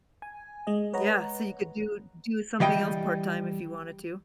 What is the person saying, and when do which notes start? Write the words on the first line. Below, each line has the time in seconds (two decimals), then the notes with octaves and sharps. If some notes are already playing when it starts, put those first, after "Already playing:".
yeah, so you could do do something else part-time if you wanted to.
0.22 G#5
0.67 G#3 D#5
0.93 B4 C#5 D#5 F#5 A#5
2.60 E3 G3 D#5 G5